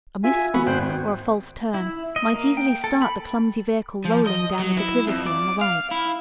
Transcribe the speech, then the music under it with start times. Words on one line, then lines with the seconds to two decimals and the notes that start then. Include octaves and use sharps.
A misstep or a false turn might easily start the clumsy vehicle rolling down the declivity on the right.
0.24 F4 E5 G#5
0.54 B3 F#4 F#5 B5 C#6
0.66 G#1 C5 G5 F#6
0.81 G5
1.74 E4
2.16 D#5
2.34 A#3
2.57 G5
2.84 A4
3.02 B5
4.05 F3
4.27 D#5
4.60 F#3
4.77 E4
5.07 F2
5.26 D5
5.61 F5
5.91 E4